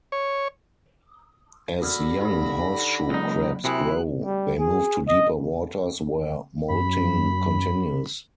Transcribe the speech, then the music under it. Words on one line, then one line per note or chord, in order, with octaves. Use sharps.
As young horseshoe crabs grow, they move to deeper waters, where molting continues.
C#5
D3 F#4 B5 E6 F6 A#6
D#4 G4
C#2 F#3 A#3 D#4
C3 E4 F#4 G#5 D#6 F#6
G3
G#4
D#5
F#2 B5